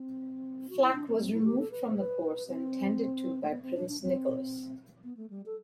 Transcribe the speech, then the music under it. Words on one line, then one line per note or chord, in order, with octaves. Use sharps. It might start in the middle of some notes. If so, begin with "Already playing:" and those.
Flack was removed from the course and tended to by Prince Nicholas.
Already playing: C4
F#4
E4
D4
C4
C4
E4
A4
G4
A4
B4
C5
B4
C4
A3
B3
C4
D4
D4
C4
B3
A3
G3
A4